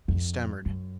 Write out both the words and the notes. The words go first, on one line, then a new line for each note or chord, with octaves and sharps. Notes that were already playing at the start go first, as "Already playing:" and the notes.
He stammered.
F2
F#2